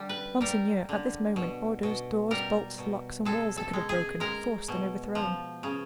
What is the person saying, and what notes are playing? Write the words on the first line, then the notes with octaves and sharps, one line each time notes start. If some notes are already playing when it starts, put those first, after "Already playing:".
"Monseigneur, at this moment, orders, doors, bolts, locks, and walls I could have broken, forced and overthrown!"
Already playing: D3 G3
B4
G3 A#4
D3
B2
B2
G3 A#4
B2
G#3 A4
A4
G#3
G#4
G#3 A#4
B2
F3
C#3